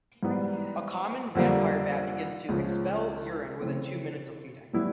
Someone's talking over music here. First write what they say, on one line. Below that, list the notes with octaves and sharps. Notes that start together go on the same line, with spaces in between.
A common vampire bat begins to expel urine within two minutes of feeding.
G#2 E3 G3 B3
F2 D3 G3 A#3
C#2 C#3 F3
C#3 E3 A3 C4
A2 E3 G3 B3 E4